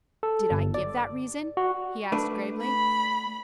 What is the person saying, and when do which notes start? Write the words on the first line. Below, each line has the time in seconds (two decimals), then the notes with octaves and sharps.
"Did I give that reason?" he asked gravely.
0.23 A4
0.51 G1
0.74 D5
1.57 F#4
2.12 A3 D4 B4
2.61 B5